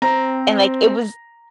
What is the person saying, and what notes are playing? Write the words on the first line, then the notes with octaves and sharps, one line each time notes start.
And, like, it was
C4 A#5